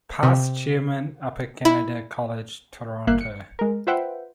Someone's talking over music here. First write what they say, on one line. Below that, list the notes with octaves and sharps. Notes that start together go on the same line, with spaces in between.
Past Chairman Upper Canada College, Toronto.
C3
E4
G1 A#3 E5 F#6 C7
C#7
G#3 A#4
F4 B4 C5 E5 F#5 G5